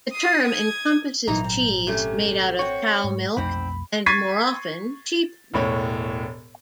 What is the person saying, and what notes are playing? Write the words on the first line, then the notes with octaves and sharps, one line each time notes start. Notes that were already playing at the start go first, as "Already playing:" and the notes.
The term encompasses cheese made out of cow milk and more often, sheep milk.
D#6 C7
D#6 G#6
G#1 A#2 E3 F#3 A#3 D#4 A#5
C4
C3 A3 C#4
C4 F#4 C#5 C#6 C#7
G#2
B1 F2 G#2 A3 C4 B5
C#6 G#6 A6 B6 C7 D#7
E1 A2 C#5